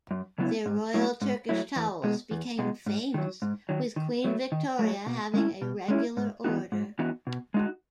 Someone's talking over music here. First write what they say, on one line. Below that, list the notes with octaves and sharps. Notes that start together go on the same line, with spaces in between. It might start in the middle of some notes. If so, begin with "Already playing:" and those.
Their Royal Turkish towels became famous, with Queen Victoria having a regular order.
F#2
C#3 F#3 B3 E4
G#2
F#3 A3 E4
G#2
F#3 A3 E4
E2
B2 G#3
E2
B2 G#3
G#2
D#3 F#3
G#2
D#3 F#3
D#3
F#3 A3
D#3
F#3 A3
B2
G#3 C#4 E4
B2
G#3 C#4 E4
G#2
E3 B3 D#4 F#4
G#2
E3 B3 D#4 F#4
B2
G#3 D#4 F#4